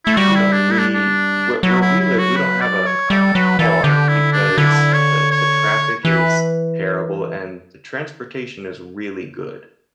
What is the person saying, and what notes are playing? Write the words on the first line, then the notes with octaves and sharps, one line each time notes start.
you know, we where where we live we don't have a a a car because the the traffic is terrible and the transportation is really good,
A3 E4
G3 F#4
E4
D4
E4
D4
D4
F#3 E4
E4
E4
F#4
B4
D5
C#5
G3 A4
F#3 B4
E3 A4
D3 G4
E4
D4
D3 E4
C#5
C#5
E3 B4